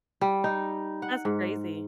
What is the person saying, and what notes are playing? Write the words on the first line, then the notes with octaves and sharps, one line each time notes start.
That's crazy.
G3
D#4
F#5
G#2